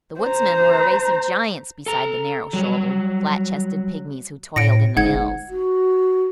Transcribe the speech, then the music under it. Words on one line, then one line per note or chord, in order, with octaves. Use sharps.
The woodsmen were a race of giants beside the narrow-shouldered, flat-chested pygmies who toiled in the mills.
C5 A#5
A4 A#5
F#3 G3
A2 A#6 C#7 D7
G1 G#2 F#5 G#6
F#4